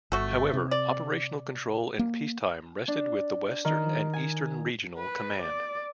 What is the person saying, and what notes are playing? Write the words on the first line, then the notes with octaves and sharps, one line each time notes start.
However operational control in peacetime rested with the Western and the Eastern Regional Command.
G1 A3 F#4 A4
C3
D5
A#3
D4
D#3
G#5
B4
D5